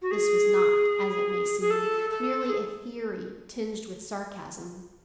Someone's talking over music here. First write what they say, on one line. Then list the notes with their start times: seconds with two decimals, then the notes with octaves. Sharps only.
This was not, as it may seem, merely a theory tinged with sarcasm.
0.02 F#4
0.11 G#4
1.60 G#4
1.70 A4
2.10 A4
2.49 G#4